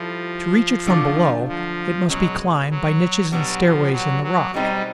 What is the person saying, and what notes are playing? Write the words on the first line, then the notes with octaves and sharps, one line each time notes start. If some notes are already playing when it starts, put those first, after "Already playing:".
To reach it from below, it must be climbed by niches and stairways in the rock.
Already playing: F3 G3 E4 A4
D3 F#3 A3 D4 F4
F3
B2 F#3 G#3 C#4
F#3
B2 F#3 G3 B3 D4
F3
F#3
F#3
B2 G3 G#3 C4 D#4